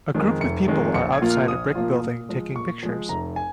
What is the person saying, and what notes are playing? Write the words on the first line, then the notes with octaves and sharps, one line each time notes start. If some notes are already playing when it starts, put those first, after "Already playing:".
A group of people are outside a brick building taking pictures.
F2 D#3 G#3
F1 C#7
F2 D#3 G#3
A#1 C#7
G#6
A#2 F3 A#3 F4
F6
A#1 D#6
A#2 F3 A#3 F4
A#2
F3 G#3
A#2 C#6
F3 G#3
F1 A#5
G#5